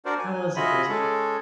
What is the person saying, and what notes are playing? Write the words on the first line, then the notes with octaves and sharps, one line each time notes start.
that was it crazy
D4 F#4 A#4 C5 D5
G#5
F4 F#4 D#5 E5 G#5 B5
G#3 C#4 A4